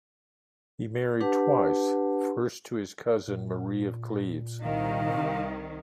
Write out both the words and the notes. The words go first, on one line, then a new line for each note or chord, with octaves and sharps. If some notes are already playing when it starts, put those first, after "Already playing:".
He married twice, first to his cousin, Marie of Cleves.
D4 G4 B4 F#5 A5
A#2
C2 D#3 F5